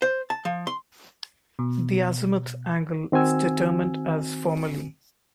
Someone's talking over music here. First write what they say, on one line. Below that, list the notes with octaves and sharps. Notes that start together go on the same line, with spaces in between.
The azimuth angle is determined as formerly.
C5
A5
F3
C6
B2
D#3 C4 F#4 G#5 E6